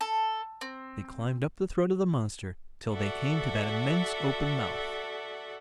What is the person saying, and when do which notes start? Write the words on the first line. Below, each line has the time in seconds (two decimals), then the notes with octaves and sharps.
They climbed up the throat of the monster till they came to that immense open mouth.
0.01 A4
0.61 C4
2.93 F#4 A4 D5 E5 F#5